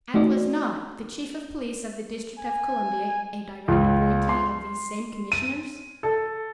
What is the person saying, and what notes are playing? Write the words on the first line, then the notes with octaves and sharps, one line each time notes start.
And was not the Chief of Police of the District of Columbia a direct appointee of these same commissioners?
A3 D#4 F#4 D5 D#5
G#5
C#2
C6
D#7
A4